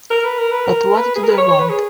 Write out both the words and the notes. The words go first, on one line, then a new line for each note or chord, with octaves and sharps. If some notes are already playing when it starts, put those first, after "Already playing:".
But what do they want?
A#4
B4
A#4
B4
A#4
B4
G#4
A#4
B4
C#5
C#5
B4
G#4